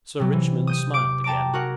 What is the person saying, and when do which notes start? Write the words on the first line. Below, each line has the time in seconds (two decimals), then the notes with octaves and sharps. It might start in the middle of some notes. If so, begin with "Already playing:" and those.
Sir Richmond smiled again.
0.20 C3 F#3
0.33 E3
0.67 D#6 G6 D#7
0.94 D6 D7
1.24 G5 A5 A#5 D6 D7
1.53 F#4 G#4 A#4 F#5